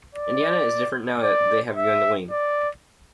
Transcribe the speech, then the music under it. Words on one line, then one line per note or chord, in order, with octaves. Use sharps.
Indiana is different now that they have Yuengling.
D5
D5
E5
D5